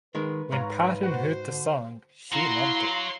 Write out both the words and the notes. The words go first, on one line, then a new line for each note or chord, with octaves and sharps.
When Parton heard the song she loved it.
D#3 G#3 A#4 B4
G#2 C#5 F5 A#5
F#4 C5 F#5
D3
F#3 E4 F5 A#5 C6